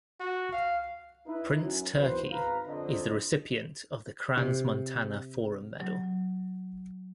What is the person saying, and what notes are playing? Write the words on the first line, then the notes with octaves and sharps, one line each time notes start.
Prince Turki is the recipient of the Crans Montana Forum medal.
F#4
F5
D#4 E4 B4
F#2
G#1 E2 G#2 F#4 B4 C5
G#1 B4 F5 A#5
F2 D3 C5 D#5
C3
F#3